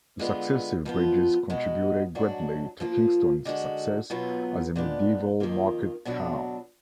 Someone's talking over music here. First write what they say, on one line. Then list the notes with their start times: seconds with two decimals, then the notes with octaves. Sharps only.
The successive bridges contributed greatly to Kingston's success as a medieval market town.
0.19 D3 G#3 B3 F4
0.85 F2 F3 B3 F4
1.50 B2 G#3 D#4 F#4
2.15 G#2 F#3 D4 F#4
2.80 F3 A#3 F4
3.45 D3 G#3 D#4 F#4
4.10 B2 F#3 B3 F4
4.76 A#2 G#3 B3 D4
5.40 F2 D#3 A#3 F4
6.05 B2 F#3 D4 F#4